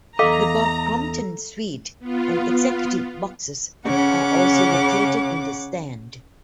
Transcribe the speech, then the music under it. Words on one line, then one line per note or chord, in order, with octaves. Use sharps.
The Bob Crompton suite and Executive Boxes are also located in the stand.
E2 A4 D#5 F5 A#5 D6
B3 F4
C#3 C#4 F#5 D6